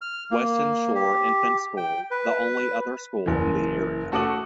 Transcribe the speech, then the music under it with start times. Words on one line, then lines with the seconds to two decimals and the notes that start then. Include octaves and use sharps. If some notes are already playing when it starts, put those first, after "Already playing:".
Weston Shore Infant School the only other school in the area.
0.01 F6
0.31 A#3
0.95 G4
1.77 G5
2.11 B4
3.26 F#1 E3
4.12 A3 F#4 A4 D6 D#6 F#7